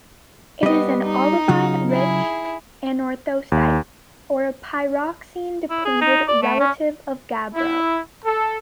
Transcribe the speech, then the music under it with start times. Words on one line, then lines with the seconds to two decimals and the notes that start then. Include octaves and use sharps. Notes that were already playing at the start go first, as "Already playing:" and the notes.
It is an olivine-rich anorthosite, or a pyroxene-depleted relative of gabbro.
0.63 G3 B3 C4 D#5
1.03 D#4
1.48 C#3 F#3 F4
1.90 E4 G#4
3.52 D#2
5.70 E4
5.85 G#4
6.01 D#4
6.28 D5
6.43 A3
6.60 C#4
7.55 E4
8.25 A4